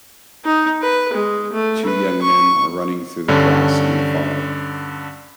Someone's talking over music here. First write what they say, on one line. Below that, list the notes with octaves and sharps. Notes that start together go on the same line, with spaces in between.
Two young men are running through the grass in the fall.
D#4
B4
G#3
A3
B4
C#6
G2 D3 C#4